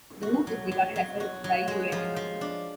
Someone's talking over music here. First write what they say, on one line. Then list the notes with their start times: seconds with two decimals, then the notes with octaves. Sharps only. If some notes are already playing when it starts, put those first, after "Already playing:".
The root is regarded as a diuretic.
0.23 F#4
0.47 F#3
0.72 F#3
0.96 F#3
1.20 F#4
1.44 F#3
1.68 G#3
1.92 F3
2.16 F3
2.41 D4